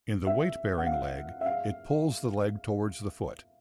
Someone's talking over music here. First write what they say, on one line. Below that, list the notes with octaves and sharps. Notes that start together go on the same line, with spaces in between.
In the weight-bearing leg, it pulls the leg towards the foot.
E5
F#5
F5
E5
F5